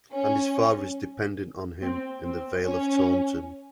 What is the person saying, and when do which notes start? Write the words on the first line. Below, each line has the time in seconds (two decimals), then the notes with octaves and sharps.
And his father is dependent on him in the Vale of Taunton.
0.14 C#4
1.81 C4
2.23 C4
2.65 C#4